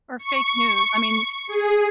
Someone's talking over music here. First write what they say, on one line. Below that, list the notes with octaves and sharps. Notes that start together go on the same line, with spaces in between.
Or fake news, I mean,
C#6
G#4